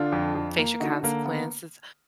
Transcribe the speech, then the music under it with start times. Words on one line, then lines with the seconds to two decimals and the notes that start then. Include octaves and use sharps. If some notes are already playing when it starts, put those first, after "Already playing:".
face your consequences,
Already playing: D3 D4 F4
0.12 F2
0.35 F2
0.58 A#3
0.80 D3 D#4 F#4
1.03 D3 A#3
1.25 A#3 B3